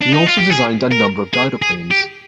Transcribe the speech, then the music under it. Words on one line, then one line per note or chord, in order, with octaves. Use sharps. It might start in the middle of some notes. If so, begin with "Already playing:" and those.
He also designed a number of gyroplanes.
D4
D#4
F4
G4
G#4
A#4
G#4
G#4
G4